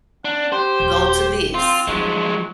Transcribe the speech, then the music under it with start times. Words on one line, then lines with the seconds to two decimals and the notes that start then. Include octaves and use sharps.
"Go to this,
0.25 D4 F#5
0.52 G4 C5
0.80 D#1
1.54 C4 F4
1.88 F3 F#3 G#3 D#4